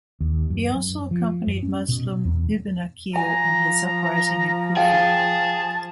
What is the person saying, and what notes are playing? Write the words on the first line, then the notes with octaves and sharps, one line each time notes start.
He also accompanied Muslim ibn Aqil in his uprising in Kufa.
D#2
F#2
F#2
F3
F#2
C#4
B2
E2
F3 G#5 A#5
G#4 F5 G5 A5